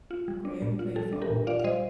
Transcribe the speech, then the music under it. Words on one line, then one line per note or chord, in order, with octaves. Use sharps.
Graham played for Hawick.
F4
G3
D4
A#2
F4
G3 A4
D4
G4 A#4
A#2
F4 D5 F5
F5
G3 C5 D#5